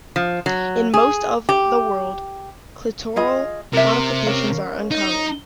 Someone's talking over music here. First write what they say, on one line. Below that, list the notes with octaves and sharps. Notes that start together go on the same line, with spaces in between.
In most of the world, clitoral modifications are uncommon.
F3
F#3
G#4
G4
F4 G#4 D#5
C3 A#4 E5
C#4 A#4 F5
D#4